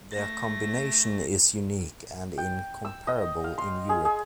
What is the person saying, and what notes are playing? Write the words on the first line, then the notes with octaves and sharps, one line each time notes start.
Their combination is unique and incomparable in Europe.
A3 A#6
G5
E6
D#5
F5
C6
G#4
G#4